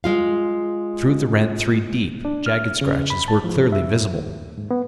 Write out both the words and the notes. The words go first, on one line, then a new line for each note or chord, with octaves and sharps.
Through the rent three deep, jagged scratches were clearly visible.
G#3 F4 F5
D4
F6
C#3
B5
A5
F3
E5
D#2
G#2
B3